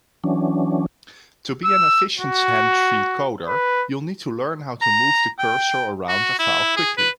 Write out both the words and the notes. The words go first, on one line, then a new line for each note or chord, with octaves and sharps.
To be an efficient hands-free coder, you'll need to learn how to move the cursor around a file quickly.
E3 F#3 C#4 D4
E6
F#4
B4
A#5
G5
F#4
E4
G#4
B4